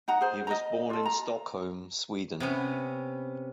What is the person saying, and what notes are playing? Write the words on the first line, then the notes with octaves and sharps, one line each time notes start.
He was born in Stockholm, Sweden.
D#4 F#5 A#5
G#4 C5
D#5 A#5
F4 A4
A#5
C3 B3 C#4